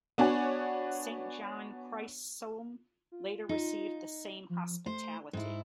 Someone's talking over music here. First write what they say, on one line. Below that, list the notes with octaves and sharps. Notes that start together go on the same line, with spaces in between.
Saint John Chrysostom later received the same hospitality.
B3 D4 F#4 C#5 G#5
F4
D#4
F3
A3 C5
G#2 G#3 E4